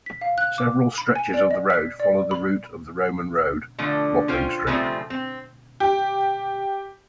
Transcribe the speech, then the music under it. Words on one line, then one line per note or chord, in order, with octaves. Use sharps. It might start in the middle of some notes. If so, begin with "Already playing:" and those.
Several stretches of the road follow the route of the Roman Road: Watling Street.
B6
F5
F#6
D6
B5
G#5
D5
D#5
B6
D5
B5
D3 F3 A3
C#4 F4 C5 G5
C#3 F3 G3 A3 C4
C4
G4